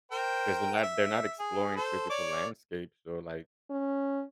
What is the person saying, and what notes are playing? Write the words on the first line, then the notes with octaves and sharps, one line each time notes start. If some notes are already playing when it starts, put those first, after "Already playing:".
'cause they're not they're not exploring physical landscapes or, like,
A#4 C5 G5
E5
G#4
A4 C5
C#5 D5 D6
C#4